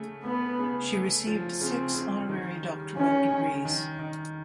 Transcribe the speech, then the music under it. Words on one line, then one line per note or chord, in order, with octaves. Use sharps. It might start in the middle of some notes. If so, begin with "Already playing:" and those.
She received six honorary doctoral degrees.
Already playing: C#3 A3
A3 B3
C#3
A3
F3
C#3 C4
C#3
D#3
G3
D#3 C#4
D#3
D#3
D#3